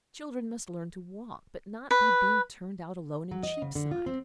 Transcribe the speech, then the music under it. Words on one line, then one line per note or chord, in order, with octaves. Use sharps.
Children must learn to walk, but not by being turned out alone in Cheapside.
B4
F#3
D#5
C#3
D3
F4
C4